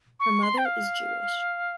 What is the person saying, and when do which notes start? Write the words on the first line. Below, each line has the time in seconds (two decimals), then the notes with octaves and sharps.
Her mother is Jewish.
0.20 C#6
0.43 C6
0.58 G5
0.65 F5